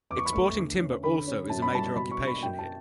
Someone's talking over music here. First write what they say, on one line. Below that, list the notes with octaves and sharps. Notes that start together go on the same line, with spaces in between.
Exporting timber also is a major occupation here.
E2 D6
C#6
B5
A3 C#6
D3
C#4
D3 B5
C#4
F#2 A5
B5
G3 A5
B2 B5
C#6
D4
B5
F#2 G5
A5